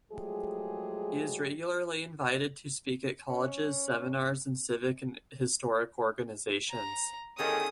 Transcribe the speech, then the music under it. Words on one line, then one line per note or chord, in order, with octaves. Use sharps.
He is regularly invited to speak at colleges, seminars, and civic and historic organizations.
F3 F#3 G#3 A3 G4 G#4
C#4
A#5
E2 G2 D#3 C#4 G#4 A4 D#6